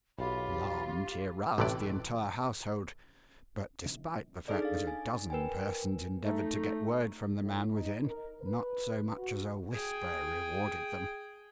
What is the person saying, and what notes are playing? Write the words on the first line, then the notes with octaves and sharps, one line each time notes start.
Alarmed, he aroused the entire household; but despite the fact that a dozen persons endeavoured to get word from the man within, not so much as a whisper rewarded them.
B1 F4 G4 B5
A1 A2 C3 E3 D5
D4 D#4 G#4 A4 D5
F5 A6
G#5
A#4 B4 G5 G#5
A3 D#4
A2
D#4
A#4
B4
F#4
G#4 G5